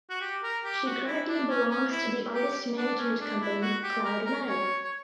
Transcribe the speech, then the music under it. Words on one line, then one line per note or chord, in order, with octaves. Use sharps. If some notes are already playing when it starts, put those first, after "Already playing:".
She currently belongs to the artist management company Cloud Nine.
F#4
G4
A#4
G4
F#4
E4
D4
C#4
C#4
E4
G4
D4
C#4
D4
E4
F#4
G4
A#4
A#4
C#5
C#5